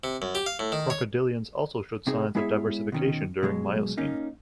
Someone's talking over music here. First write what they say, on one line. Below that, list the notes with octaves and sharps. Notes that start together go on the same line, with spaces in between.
Crocodilians also showed signs of diversification during Miocene.
C3
F#2
G4
F5
A2
D#3
C#5
C3 C4 D#4 G#4
G#3 B3 E4 G#4 C#5 E5
B2 D#3 C#4
B2 F#3 G#3
A#3 C#4 D#4